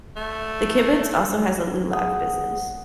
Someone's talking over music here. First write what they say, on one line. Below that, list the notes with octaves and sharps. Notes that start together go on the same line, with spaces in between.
The kibbutz also has a lulav business.
A3
G#4 F#5 D#6